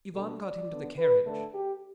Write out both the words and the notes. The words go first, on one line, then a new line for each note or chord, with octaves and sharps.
Ivan got into the carriage.
B2 G3 D4 A4
D5
D3 B3 D4
B4
D3 A3 D4 A4
G4